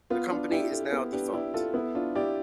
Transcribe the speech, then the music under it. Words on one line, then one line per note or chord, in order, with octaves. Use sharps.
The company is now defunct.
B3 F4
D4
E4 G4 D5
A4
B3
D4 G4 B4
E4 G4 D5
F4 A4
B3 E4
D4 F4
E4 G4 D5